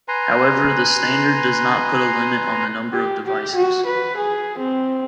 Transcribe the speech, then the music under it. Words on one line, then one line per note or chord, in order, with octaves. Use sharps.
However the standard does not put a limit on the number of devices.
B4 G#5 A#5 C6
G4
G4
F#4
B4
G#4
C4